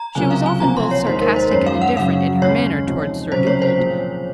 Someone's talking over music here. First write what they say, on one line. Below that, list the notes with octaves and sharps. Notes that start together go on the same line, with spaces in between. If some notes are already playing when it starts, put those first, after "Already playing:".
She was often both sarcastic and indifferent in her manner toward Sir Dugald.
Already playing: A#5
C#2 C3 F#3 A#3 F4 G#5
F5
G#5
C2 C3 F3 A#3 A#5
C6
C#5
D#2 D#3 G#3 D#4 C5
A#4
C5
F#2 D#3 G#3 C#5
F5
F#5
F#2 C#3 F#3 F5
D#2 C#3 G#3 C#4 C#5
C3 F3 G#3 D#4
C#2 C3 F#3 C#4 C5
C#5
C5
A#2 F3 C4 F4 G#4